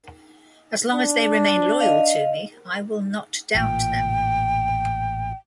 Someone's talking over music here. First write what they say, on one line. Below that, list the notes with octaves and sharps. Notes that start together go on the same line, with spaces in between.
As long as they remain loyal to me, I will not doubt them.
D4
D#5 F5
A1 A#2 G5